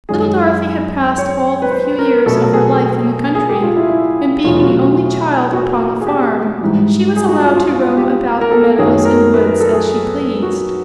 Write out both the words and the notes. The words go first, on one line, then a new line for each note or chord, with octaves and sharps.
Little Dorothy had passed all the few years of her life in the country, and being the only child upon the farm she was allowed to roam about the meadows and woods as she pleased.
F#2 D#3 G#3 G#4
C#5
B4
C5
A#4
B2 F#3 A3 A4
A#4
A4
G#4
G#4
G4
F4
E4
E4
E2 B2 F#3 A3 F4
F#4
F#4
F#4
G#4
G4
G#2 E3 G3
G#4
F#4
F4
F4
F4
G4
A#4
A4
F#2 D#3 F#3 A3 G#4
A#4
B4
A#4
A4
G#4
F#4